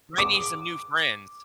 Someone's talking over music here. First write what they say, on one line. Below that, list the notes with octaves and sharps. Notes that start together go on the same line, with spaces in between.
Might need some new friends.
D6